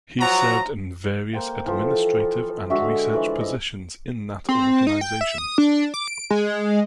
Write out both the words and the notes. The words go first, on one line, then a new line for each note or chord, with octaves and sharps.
He served in various administrative and research positions in that organization.
F3 F#3 F#4 A#5
A#3 C5 G5
E3 F3 A4
D3 G#3 F#4 E5
E3 F3 D5 E5
D#5
C4
D#4
G5
E5
D#6
D4
D6
D7
G#3